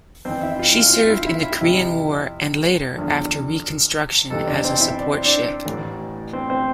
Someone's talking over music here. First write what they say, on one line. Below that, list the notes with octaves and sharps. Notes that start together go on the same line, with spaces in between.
She served in the Korean War and later, after reconstruction, as a support ship.
F2 E3 C4 C5
E4 E5
F4 F5
F4 F5
F4 F5
E4 E5
E4 E5
E4 E5
F2 C3 F3 E4 E5
E2 D3 F3
F2 C3 E3 A4 A5
D4 D5
C4 C5
E4 E5
D5
C5
D4 D5
A1 A2 E3
C4 C5
C4 C5